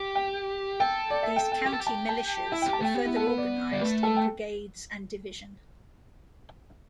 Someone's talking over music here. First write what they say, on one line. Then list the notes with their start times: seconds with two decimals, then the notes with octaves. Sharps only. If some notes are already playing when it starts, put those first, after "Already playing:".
These county militias were further organized in brigades and division.
Already playing: G4
0.15 G5
0.80 A4 G5
1.10 D5
1.23 E5
1.36 G5
1.52 G5
1.65 G4 G5
1.73 A4
1.80 G4
1.87 A5
2.09 A5
2.52 E4 E5
2.62 G4 G5
2.73 A5
2.81 A3 G5
2.95 B3 G4
3.05 E4
3.16 A4
3.27 B4
3.38 D5
3.72 G3 D5
3.81 A3 B4
4.03 A4
4.17 G5